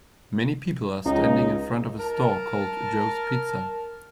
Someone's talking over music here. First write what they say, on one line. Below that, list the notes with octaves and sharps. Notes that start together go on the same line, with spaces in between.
Many people are standing in front of a store called Joe 's Pizza.
C#2 D#4
A#4 A5